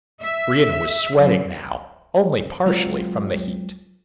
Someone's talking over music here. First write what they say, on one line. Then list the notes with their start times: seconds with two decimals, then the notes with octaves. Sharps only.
Brion was sweating now, only partially from the heat.
0.20 E5
1.17 F#2
2.66 F#3 G#3 C4 F4 C5 D5